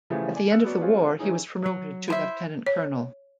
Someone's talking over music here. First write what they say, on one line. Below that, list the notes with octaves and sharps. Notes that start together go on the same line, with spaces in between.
At the end of the war he was promoted to lieutenant colonel.
C#3 E3 F3 G3 A3
D5 G#5
E6 F#6 C#7
F#3 B3 C#4 F#4 D5
G#3 C4 C#4 F4 G#4
E3 C#4 D#4 G#4
F#3
E4 C5 E5
C#5